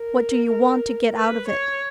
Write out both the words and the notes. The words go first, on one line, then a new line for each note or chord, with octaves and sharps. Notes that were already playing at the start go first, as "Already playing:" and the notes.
"What do you want to get out of it?"
Already playing: A#4
B4
C#5